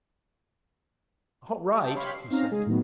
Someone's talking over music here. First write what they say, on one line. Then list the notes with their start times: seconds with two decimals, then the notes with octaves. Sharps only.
"All right," he said.
1.80 G5 A5
1.94 G4 C#5 F5 B5 C6
2.14 C7
2.31 C4 C#4 D#4 F5 A#5
2.51 G#3 G#4
2.66 A2 D#3 F#3 B3